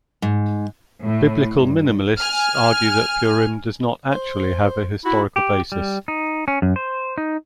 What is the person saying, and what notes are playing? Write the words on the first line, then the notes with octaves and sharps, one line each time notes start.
Biblical minimalists argue that Purim does not actually have a historical basis.
G#2
A2
G2
G#5 F6
C5
E4 F#4
G4
G3
D#4
C#4
F#2
C5
D#4